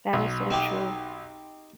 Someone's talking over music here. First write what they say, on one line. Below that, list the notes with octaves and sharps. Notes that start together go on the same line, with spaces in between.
That is so true.
B1
C4 D#4 G4